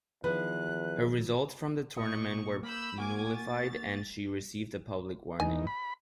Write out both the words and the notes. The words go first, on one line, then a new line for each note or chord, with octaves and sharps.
Her results from the tournament were nullified and she received a public warning.
E2 D#3 F3 B4 F#6
A#2 D#5 C#6
A#3 B5 E6 G6
A#3 F#4 G#5 D6 G#6
A6
E2 D#4 G#5
B5